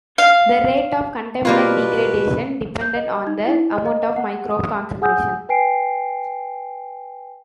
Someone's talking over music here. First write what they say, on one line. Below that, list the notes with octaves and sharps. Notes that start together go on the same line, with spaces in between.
The rate of contaminant degradation depended on the amount of microbe concentration.
F5
B2 G3 A#3 F4 B4
G6
D#5
D#4
E4
D#5
D#5
F#5
D#6
G#4 F#5 G#5 D#6 E6 G6
B4 G5 G#5 C7 D7